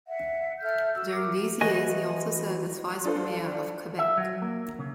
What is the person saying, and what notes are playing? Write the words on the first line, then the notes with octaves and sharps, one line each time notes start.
During these years he also served as Vice-Premier of Quebec.
E5 F#5
A4 E5 F6 G6
F#4 E6
A#4 D6
E3 F#4 D#5 G#5
D4 F4 A4 C5
E5
F#3
A#3
C#3